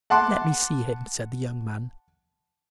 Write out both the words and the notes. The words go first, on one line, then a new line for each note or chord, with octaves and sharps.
"Let me see him," said the young man.
F#5 A5 C6 D6